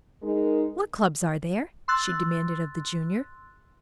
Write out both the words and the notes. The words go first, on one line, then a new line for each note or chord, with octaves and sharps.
"What clubs are there?" she demanded of the Junior.
G#3 D#4 A#4
C6 E6 F#6 A6